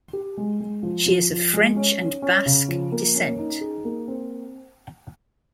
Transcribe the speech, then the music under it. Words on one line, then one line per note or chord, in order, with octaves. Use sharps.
She is of French and Basque descent.
G4
G#3
G#3
F3
F3
F3
G#3
C#4
C#4
C#4
C#3
F3
A#3
C#4
D#4
G#4
A#3
C4